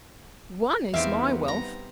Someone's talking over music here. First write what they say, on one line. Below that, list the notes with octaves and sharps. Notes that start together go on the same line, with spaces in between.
ONE is my wealth!
E2 G3 B3 C4 D#4 G4 E5 F5
A#5